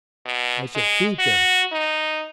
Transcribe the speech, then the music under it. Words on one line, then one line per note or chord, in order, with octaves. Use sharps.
I shall keep them.
B2
G#3
F#4
D#4